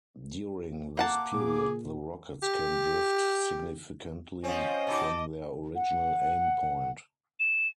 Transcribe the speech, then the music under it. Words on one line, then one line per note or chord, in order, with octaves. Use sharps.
During this period the rockets can drift significantly from their original aim point.
A#3 F#5 A5 D6
A#2 G#4
G4
F3 C4 C#4 D#5
B2 D#4 A5 D6
F#5
E7